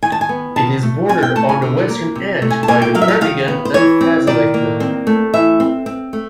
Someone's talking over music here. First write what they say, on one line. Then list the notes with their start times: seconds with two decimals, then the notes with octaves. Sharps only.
It is bordered on the western edge by the Birmingham and Fazeley Canal.
0.03 D#3 G#5
0.12 A5
0.21 G#5
0.29 B3
0.56 D#3 A5
0.83 A3
1.09 C4 G#5
1.23 G5
1.36 A3 A5
1.49 G#5
1.62 D3
1.89 A#3
2.15 C3
2.42 A3
2.50 G#5
2.63 A5
2.68 A#3 G#5
2.82 G5
2.95 F#3 F5
3.02 E5
3.08 F5
3.21 D#3 F5
3.48 B3
3.65 C5
3.74 E3 C#5
4.01 C4
4.27 D#3 D5
4.54 A#3
4.80 C4
5.07 A3
5.34 E3 E5
5.60 C4
5.86 C4
6.13 A3